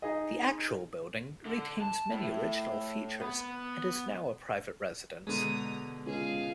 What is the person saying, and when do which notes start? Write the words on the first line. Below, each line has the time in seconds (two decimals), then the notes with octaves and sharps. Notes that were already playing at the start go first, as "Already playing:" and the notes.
The actual building retains many original features and is now a private residence.
0.02 D#4 G#4 D#5
1.45 D3
1.82 A5
2.12 A2
3.21 B3
5.27 B2 D3 G#3 A#5 D#6
6.06 C#2 G#4 F5